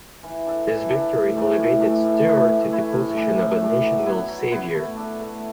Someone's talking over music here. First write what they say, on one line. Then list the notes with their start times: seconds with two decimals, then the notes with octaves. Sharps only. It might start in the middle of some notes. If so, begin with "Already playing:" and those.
This victory elevated Sture to the position of a national savior.
0.23 E3
0.46 D4 A4
0.68 E3
0.90 D4 A4
1.13 A2
1.36 E3 A3 D4
1.58 A2
1.80 E3 A3 D4
2.04 A2
2.26 A3 E4 B4
2.49 A2
2.72 A3 E4 B4
2.93 A2
3.17 E3 D4
3.38 A2
3.62 E3 D4
3.84 F#3
4.06 B3 E4 B4
4.28 F#3
4.51 B3 E4 B4
4.74 A3
4.97 D4 A4
5.19 A3